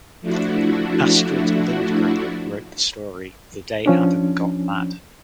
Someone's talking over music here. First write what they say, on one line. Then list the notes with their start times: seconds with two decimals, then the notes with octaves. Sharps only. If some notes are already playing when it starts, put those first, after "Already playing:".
Astrid Lindgren wrote the story "The Day Adam Got Mad".
0.21 F3 A3 D4 E4 F#4
3.86 F3 C#4 D4